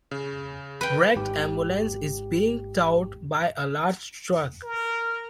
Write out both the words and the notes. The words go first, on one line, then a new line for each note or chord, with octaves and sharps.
Wrecked ambulance is being towed by a large truck.
C#3
B4 G5
G#1 G#2 G4
A#4